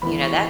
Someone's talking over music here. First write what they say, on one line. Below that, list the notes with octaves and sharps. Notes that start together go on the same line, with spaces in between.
You know, that
E2 E3 B5
C#6